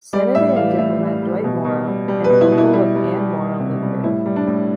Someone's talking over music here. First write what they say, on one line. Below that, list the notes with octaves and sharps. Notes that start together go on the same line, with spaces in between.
Senator and Diplomat Dwight Morrow and uncle of Anne Morrow Lindbergh.
G3 D5
A2 E5
E3 F5
A2 E5
G3
G3
B2
B2
G3
G3
B4
B2
E4
B2
E4
G3 E4
G3
G3
G3
C3
G3
A2 E4
G3
D4
A2